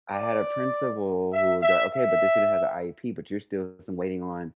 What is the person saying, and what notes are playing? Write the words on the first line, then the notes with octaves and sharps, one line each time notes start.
I had a principal who would go, "Okay, but this student has a IEP but you're still waiting on
D5
E5
E5
E5